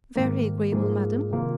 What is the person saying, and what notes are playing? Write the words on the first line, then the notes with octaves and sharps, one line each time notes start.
"Very agreeable, madam."
G#2 D#3 A#3
G#2 F3 A#3 F4 G#4
C3 D#3 A#3 F4